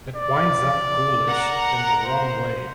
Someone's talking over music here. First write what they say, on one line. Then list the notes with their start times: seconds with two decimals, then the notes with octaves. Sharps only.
It winds up ghoulish in the wrong way.
0.17 D5
1.25 A#4 F#5 A#5
2.06 C5